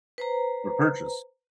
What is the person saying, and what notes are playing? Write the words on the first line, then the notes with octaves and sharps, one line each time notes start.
for purchase,
B4 C5 A#5